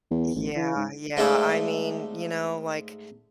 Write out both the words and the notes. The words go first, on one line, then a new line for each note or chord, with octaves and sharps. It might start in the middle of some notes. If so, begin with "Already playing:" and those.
Yeah, yeah. I mean, you know, like,
E2
A1
E3
G#2
G#2 G#3 A3 D5 E5 F5